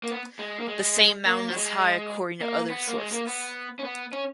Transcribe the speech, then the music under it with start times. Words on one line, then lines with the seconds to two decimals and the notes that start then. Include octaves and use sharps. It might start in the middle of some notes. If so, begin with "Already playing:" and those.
The same mountain is high according to other sources.
0.04 A#3
0.11 B3
0.39 G#3
0.60 A#3
0.68 G#3
1.26 A#3
1.49 F#3
1.55 G#3
2.41 A#3
2.70 B3
2.88 A#3
2.98 G#3
3.12 A#3
3.27 B3
3.79 C#4
3.84 B3
4.13 C#4